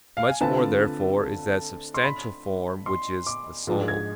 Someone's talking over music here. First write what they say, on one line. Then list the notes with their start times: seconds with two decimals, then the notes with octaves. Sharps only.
Much more therefore is that substantial form which is the soul.
0.17 F5
0.29 G#5
0.41 D3 A3 C4 F4 B4 A5
1.94 C6
2.04 B5
2.86 C6
3.27 D6
3.67 G#2 F3 G#3 D4
3.88 G#6